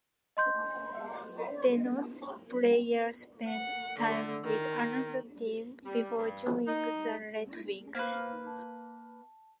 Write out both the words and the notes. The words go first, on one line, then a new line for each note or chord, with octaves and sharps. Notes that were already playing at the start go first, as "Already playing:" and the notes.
Denotes player spent time with another team before joining the Red Wings.
D#5 C6 G6
F#5
D3
D#3
G3
G2
D#4
A#3 B4 C5 F5 F6
A5